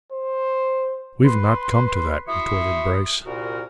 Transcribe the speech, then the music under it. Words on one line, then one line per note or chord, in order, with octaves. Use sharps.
"We've not come to that," retorted Bryce.
C5
B4 C6
E4 F#4 E5 C6 C#6 D#6
C2 A#2 F#4 A#4